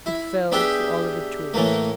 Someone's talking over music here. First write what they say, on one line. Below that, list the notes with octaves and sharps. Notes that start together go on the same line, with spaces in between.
It fell to Oliver Twist.
E4
B3 D4 G4 G#4 E5 G5
A2 E3 A3 A#3